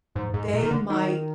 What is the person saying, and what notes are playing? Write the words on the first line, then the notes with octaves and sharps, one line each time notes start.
they might
G#2
G#2
A#2
D#3
D3
D#3